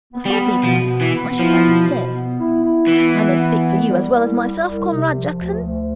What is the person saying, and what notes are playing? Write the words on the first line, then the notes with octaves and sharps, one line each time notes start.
Before leaving you, I should like to say--I may speak for you as well as myself, Comrade Jackson--?'
B3
G3
B3
B2 F3
B3
E3
B3
F3 E4
B2
B2
B3
E4
E4
E3 B3
E4
B3
C2
G3
C2
G3
C2
C3
F3
D2
D2